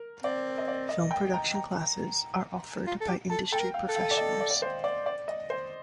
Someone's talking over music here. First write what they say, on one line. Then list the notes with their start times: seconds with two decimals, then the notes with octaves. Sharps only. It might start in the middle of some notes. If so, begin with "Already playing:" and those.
Film production classes are offered by industry professionals.
Already playing: A#4
0.23 C4 D5
0.58 D#5
0.68 D5
0.89 D#5
1.11 G5
1.34 A#5
1.55 A#5
2.87 F4
3.01 A4
3.08 G4
3.30 A4 A5
3.52 A4 G5
3.60 A#4
3.74 F5
3.89 A4
3.96 F5
4.11 D5
4.17 D#5
4.40 D5
4.51 D5
4.62 C5
4.84 D5
5.06 D5
5.28 D#5
5.50 C5